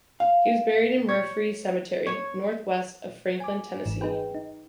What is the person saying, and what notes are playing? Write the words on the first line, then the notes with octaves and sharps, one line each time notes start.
He was buried in Murfree Cemetery, northwest of Franklin, Tennessee.
F5
C#5
C#5
G#5 D6
G#1 G#2 E3 E7
D#4 G#4 B4 G5
D#4